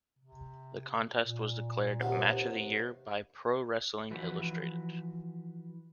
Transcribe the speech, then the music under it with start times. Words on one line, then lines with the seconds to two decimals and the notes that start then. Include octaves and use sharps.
The contest was declared Match of the Year by "Pro Wrestling Illustrated".
0.19 C3
1.18 A#2
2.01 D#2 C3 B3
4.11 E3 F3 F#4 B4